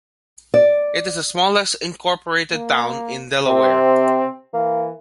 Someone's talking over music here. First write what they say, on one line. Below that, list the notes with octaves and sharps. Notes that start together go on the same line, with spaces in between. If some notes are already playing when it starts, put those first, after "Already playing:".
It is the smallest incorporated town in Delaware.
D5
A#3
C3 C4
E3 A#3